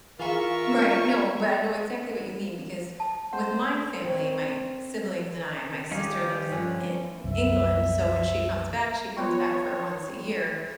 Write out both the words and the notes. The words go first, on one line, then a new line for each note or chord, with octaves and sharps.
Right. No, but I know exactly what you mean because, with my family, my siblings and I my sister lives in England, so when she comes back, she comes back for once a year,
E3 F4 G#4 A#4 E5 F5 C#6
A5
C5 F#5
C4 C#5
D#3 G3 C#4 D#4 G4 D#5 F5
G2 D3 F3 C#4 F4
C2 F#2 E5
G3 B3 F4 B4 C#5 C6 C#6